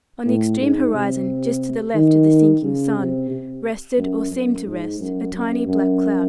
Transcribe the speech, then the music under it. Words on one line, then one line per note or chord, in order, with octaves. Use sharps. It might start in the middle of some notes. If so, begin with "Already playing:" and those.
On the extreme horizon, just to the left of the sinking sun, rested, or seemed to rest, a tiny black cloud.
A2
G#2
C3
D#3
C#3
C3
C3
F#2
F#2
G#2
F#2
F#2
F#2